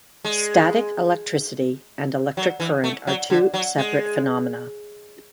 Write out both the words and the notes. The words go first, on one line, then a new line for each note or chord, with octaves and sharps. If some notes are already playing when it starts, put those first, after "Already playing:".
Static electricity and electric current are two separate phenomena.
G#3
F#3
E3
A3
F#3
D3
F#3
G#3